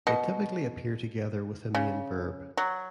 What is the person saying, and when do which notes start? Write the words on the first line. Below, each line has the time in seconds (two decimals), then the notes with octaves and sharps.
They typically appear together with a main verb.
0.07 B2
1.75 C#3
2.57 F#3